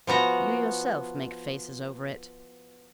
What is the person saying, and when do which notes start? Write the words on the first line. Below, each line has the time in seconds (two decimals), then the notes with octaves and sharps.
You yourself make faces over it.
0.07 F3 B3 F#4 A#5